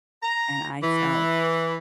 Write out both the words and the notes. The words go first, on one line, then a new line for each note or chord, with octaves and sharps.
and I felt
A#5
E3